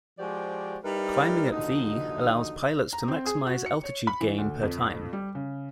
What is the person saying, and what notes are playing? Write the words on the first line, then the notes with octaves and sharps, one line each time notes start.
Climbing at V allows pilots to maximize altitude gain per time.
F3 G#3 F#4 G4 C5 D5
G3 D#4 E4 A#4 B4
D#2 D3 F3 D#4 F#4 D#5
A#5
C4
G#4
F#4
C#7
C#5
B5
E3
D2
F2
G3
C#3